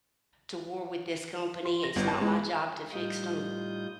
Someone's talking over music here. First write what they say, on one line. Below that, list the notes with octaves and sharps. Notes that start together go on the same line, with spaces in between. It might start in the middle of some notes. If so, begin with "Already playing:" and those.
to war with this company; it's not my job to fix them,
C6
A#6
G1
A5
G#3
A2 G3 D#4 F4 D#6 G6